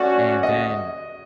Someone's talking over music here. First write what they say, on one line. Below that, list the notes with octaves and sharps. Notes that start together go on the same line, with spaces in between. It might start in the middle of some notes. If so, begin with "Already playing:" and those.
And then
Already playing: A3 C#4 F#4 D5
D#5